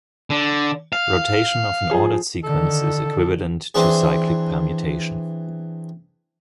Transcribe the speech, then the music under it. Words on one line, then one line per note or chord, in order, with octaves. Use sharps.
Rotation of an ordered sequence is equivalent to cyclic permutation.
D3
F5
F3 G#4
D3 D#3 A4
E3 C4 D4 G#4